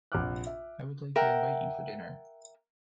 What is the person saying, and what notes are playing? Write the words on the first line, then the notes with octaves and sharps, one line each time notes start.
I would like to invite you for dinner.
A#1 C3 F#5 D6 F6 F#6
E5
A#4 E5 F#5 G5